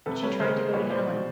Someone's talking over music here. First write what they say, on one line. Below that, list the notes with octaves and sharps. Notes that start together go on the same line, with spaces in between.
But she tried to go to Helen.
C3 A4 B4
G3 B4 C#5
C#3 A#4 C5
G#3
A#2 B4 C#5
G#3 C5 D5
B2